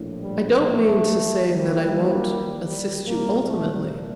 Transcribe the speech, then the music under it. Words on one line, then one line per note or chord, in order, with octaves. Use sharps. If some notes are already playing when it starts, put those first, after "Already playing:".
I don't mean to say that I won't assist you ultimately.
Already playing: A#1 A2
G3
A3
D#2 D#3 G3
A#3
G3
C2 A#2 G3 A#3
A3